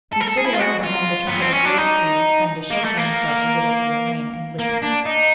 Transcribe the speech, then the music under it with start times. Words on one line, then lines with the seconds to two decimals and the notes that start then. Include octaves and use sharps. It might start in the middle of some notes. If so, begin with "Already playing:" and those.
He stood a while behind the trunk of a great tree, trying to shelter himself a little from the rain, and listened.
0.13 A4
0.20 A#4
0.28 A4
0.37 G#4
0.45 E4
0.53 F4
0.60 F#4
0.83 F4
1.27 B3
1.40 C4
1.52 C#4
1.65 D4
1.78 D#4
2.71 A#3
2.85 A3
2.98 A#3
4.59 A#3
4.82 D4
5.05 D#4